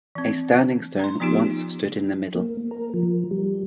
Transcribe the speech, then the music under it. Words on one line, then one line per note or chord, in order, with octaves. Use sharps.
A standing stone once stood in the middle.
E3 C4
A#5 C6
F3 B3 D#4 F4 G4
A#3
A#4
F3
G3